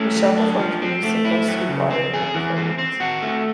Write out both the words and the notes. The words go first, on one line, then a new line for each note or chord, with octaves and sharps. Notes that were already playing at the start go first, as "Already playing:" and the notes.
Michelle performed her new single "Sweet Water" in the performance.
Already playing: A3 C#4
F#3
D4
F3
C4
A3
E4
F#3
C#3
C4
G#4
E3
C4
C4
F#4
A3